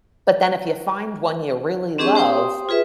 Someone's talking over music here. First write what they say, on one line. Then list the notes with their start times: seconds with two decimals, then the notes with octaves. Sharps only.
but then, if you find one you really love,
1.98 C4 D4 G4 G#4 D#5 C#6
2.15 G4 C5 G5 C6 D#6
2.69 F4 G#4 B4 E5